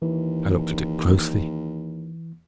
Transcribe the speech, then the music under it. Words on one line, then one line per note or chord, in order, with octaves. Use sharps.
I looked at it closely.
D#2 E3